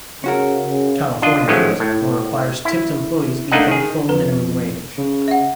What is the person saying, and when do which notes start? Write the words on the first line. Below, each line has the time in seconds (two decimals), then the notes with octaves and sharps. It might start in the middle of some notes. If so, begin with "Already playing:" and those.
California, for example, requires tipped employees be paid full minimum wage.
0.24 C#3 C#4 F#4 A#4
0.67 C#3
1.22 D4 F4 D#5
1.48 D#3 F3 F#3 G#3 A3 C#4
1.80 A2
2.65 E4
3.51 A3 A#3 D4 D#4 D#5 F#5
3.68 D#3 G#4
4.09 F2 B4 A#5
4.98 C#3
5.28 E5 F#5